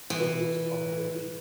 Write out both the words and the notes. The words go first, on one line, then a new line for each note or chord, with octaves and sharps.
Butler's Andre B.
E3